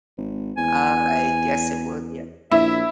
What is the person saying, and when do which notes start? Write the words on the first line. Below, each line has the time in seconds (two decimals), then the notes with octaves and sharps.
I guess it would, yeah.
0.18 G#1
0.58 E2 G#5
2.51 A#1 E4 E5